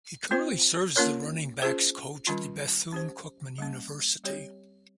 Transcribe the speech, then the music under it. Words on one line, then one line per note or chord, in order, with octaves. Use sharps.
He currently serves as the running backs coach at Bethune Cookman University.
C4 F4 C5
A#3 C#4 F4 A#4 C#5
C#4 F4 G#4 C5
D#3 G3 C#4 F4
C#4 G4 C5
G3 A#3 C#4
G3 C4 G4 C#5